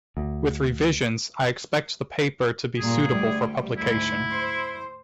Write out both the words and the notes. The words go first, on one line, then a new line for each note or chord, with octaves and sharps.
With revisions I expect the paper to be suitable for publication.
D2
G2 A#2 G#4
D2 G3
D2 G#2 E4
C5